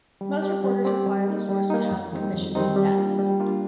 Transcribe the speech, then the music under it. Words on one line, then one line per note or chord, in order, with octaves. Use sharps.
Most reporters require the source to have "commissioned status".
G3
C4 G4 D5
G3
C4 G4 D5
G3
A#3 D#4
G3
A#3 D#4
F2
D#3 G3 C4 D#4
F2
D#3 G3 C4 D#4
G3
A#3 D4 F4
G3
A#3 D4 F4